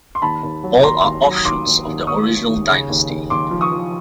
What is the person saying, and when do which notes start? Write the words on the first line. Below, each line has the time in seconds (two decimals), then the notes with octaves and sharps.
All are offshoots of the original dynasty.
0.15 C6
0.22 D#2 A5 B5
0.43 D#2
0.63 F#3
0.83 D#2 A#5 C6
1.04 D#2
1.25 F#3
1.35 D#6
1.45 D#2 C6 D6
1.66 D#2
1.86 D#2
2.07 D#2 C#6 D#6
2.28 D#2
2.48 D#2
2.69 C#3
2.89 D#2
3.10 D#2
3.30 D#2 C6 D6
3.51 F3
3.61 C#6 D#6
3.72 F3